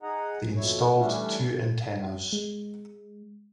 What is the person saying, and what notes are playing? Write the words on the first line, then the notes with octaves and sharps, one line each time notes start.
They installed two antennas.
D#4 G#4 D#5 F#5 A#5
F2 B2 E4 C#5
E3 G3 A3 C#4 D4 E4
G#3